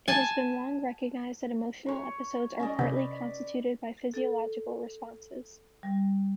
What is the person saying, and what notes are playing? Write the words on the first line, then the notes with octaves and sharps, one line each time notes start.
It has long been recognized that emotional episodes are partly constituted by physiological responses.
G#5 A5
C#5 C#6
C#4 D5 D#5
C3 B4 D5
A4
G3